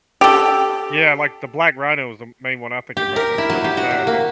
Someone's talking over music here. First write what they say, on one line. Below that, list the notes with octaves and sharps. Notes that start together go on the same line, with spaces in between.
Yeah, like, the black rhino is the main one I think about. That's really sad that
G4 A4
G4
A#4
E4
F#3
G4
F#4
C3
A#3